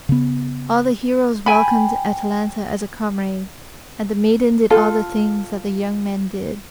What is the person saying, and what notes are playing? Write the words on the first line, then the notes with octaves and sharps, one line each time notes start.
All the heroes welcomed Atalanta as a comrade, and the maiden did all the things that the young men did.
C#3 B3
G5 G#5 B5
F4 A4